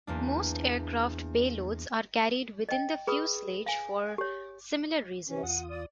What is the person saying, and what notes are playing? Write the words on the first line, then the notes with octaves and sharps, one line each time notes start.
Most aircraft payloads are carried within the fuselage for similar reasons.
E2 A#3 D4
D#5 G5
G#4 B4 B5 D#6
F5 G#5
G4 C#5
C3 E3 C#4
E2 F4 F#5 D#6
D5